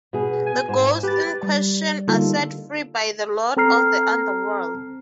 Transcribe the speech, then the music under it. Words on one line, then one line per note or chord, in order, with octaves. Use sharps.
The ghosts in question are set free by the lord of the underworld.
B2 G#4
G#5
G#2 C5
G4 B4 A6
G3
D3 G3 A#3 D#4 F4 A4
C4 A4 A#5 F6 C7